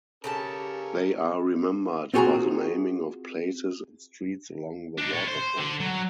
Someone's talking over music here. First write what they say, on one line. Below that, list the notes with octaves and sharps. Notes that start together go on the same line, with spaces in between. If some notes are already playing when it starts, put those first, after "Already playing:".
They are remembered by the naming of places and streets along the waterfront.
C#3 C#4 G4 A4 A#4 A5
C4 F4 F#4 G#4 G#5 A#5
D4 D#4
A4 C#5
C5
D3
F#3